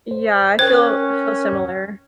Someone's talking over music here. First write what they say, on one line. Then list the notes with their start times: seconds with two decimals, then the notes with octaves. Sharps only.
Yeah. I feel I feel similar.
0.11 C5
0.59 C#4 A#4 C5 G5 F#6